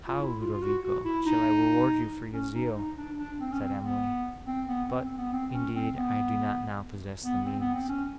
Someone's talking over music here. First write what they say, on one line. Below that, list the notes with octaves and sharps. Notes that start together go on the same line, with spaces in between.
'How, Ludovico, shall I reward you for your zeal?' said Emily: 'but, indeed, I do not now possess the means.
F4
E4
F4
F4
F#4
F#4
E4
D#4
C#4
D#4
D#4
D4
D4
C4
C#4
C4
B3
C4
B3
C4
C4
B3
C4
C#4
C4
B3
B3
C4
B3
C4
C#4